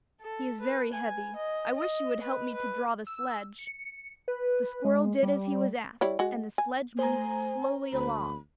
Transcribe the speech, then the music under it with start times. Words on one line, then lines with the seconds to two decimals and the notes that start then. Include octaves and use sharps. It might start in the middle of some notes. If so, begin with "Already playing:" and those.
He is very heavy; I wish you would help me to draw the sledge.' The squirrel did as he was asked, and the sledge moved slowly along.
0.21 A4
0.61 B4
0.93 G#5
1.36 D#5
1.76 D#5
2.22 B4
2.54 B4
3.07 E6
3.59 C#7
4.28 B4
4.85 G#3
5.23 G3
6.01 G3 E4 C#5
6.19 G#3 F#4
6.58 G#5
6.99 A3 C5 G#5 A#5
7.93 D2 B5